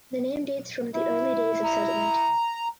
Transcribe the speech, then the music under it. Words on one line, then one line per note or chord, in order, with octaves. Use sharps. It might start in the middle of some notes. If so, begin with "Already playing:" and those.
The name dates from the early days of settlement.
E4
A#5